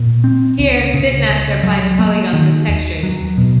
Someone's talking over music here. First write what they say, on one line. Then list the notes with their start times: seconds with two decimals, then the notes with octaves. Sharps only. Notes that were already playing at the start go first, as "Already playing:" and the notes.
Here, bitmaps are applied to polygons as textures.
Already playing: A#2
0.24 C4
0.59 C#2
0.94 C#3
1.29 C#2
1.64 F#3
1.99 A#3
2.33 D#3
2.68 D#2
3.03 F#3
3.38 B2